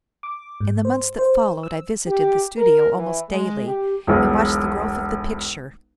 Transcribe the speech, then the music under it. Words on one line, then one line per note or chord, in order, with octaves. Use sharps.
In the months that followed, I visited the studio almost daily, and watched the growth of the picture.
D6
G#2
C5
C5
E6
G4
A#4
E3
G#3
G4
E1 B1